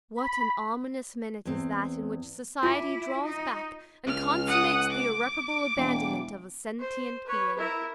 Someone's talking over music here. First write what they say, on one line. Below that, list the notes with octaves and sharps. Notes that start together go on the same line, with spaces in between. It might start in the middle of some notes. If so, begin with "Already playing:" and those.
What an ominous minute is that in which society draws back and consummates the irreparable abandonment of a sentient being!
B5
E2 C4
E4 F4 G#5 D6
D#4
C#2 F6
F#5 D#6
D6
E1
C5
B4 C#5
E4 A#4